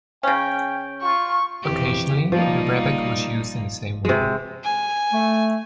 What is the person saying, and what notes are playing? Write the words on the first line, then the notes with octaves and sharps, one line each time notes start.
Occasionally, the rebec was used in the same way.
C#3 C#4 G5
F4 C#6
F2 E3 G4
F3 G3 A#3 D#4
C3 G#3
G#5
A3